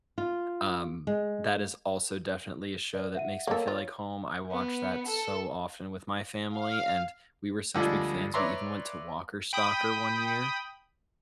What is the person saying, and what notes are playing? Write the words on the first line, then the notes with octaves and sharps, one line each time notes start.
Um, that is also definitely a show that makes me feel like home. I watched that so often with my family, and we were such big fans, we even went to Walker Stalker one year.
F4
G#3
B4 D5
E5 F#5 D#7
A#3 A4 A#4 C#5 F5
F4 C#5
B3
A4
F5
D2 D3 F3 G3 G#3
B4 C#5 D5 E5 A#5 C6
G5 B5 D#6